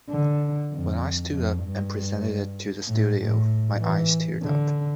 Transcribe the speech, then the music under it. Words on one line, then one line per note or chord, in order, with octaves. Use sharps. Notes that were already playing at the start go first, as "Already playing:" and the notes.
When I stood up and presented it to the studio, my eyes teared up.
D3
F2
F2
G2
A2
A2
E3
D3